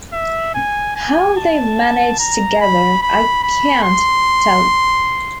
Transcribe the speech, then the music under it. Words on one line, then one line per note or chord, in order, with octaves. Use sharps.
How they managed together, I can’t tell.
E5
G#5
G#5
A5
A#5
B5
B5
B5
C6